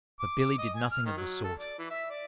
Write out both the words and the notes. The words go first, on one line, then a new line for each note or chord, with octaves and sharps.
But "Billy" did nothing of the sort.
D6
D6
D#5
G#5
F6
D#3
F#3
A4
D5
E3
E5
D5